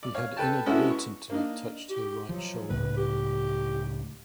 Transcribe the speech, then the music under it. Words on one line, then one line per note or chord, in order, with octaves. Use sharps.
He had inadvertently touched her right shoulder.
D5
C#5 F5
A4 B4 G5 A5
G#3 B3 C#4 E4 F#4 A4
C#6
A#3 D4 D#4
G4
F3 F#3
C#2 A2 G#3 B4
G4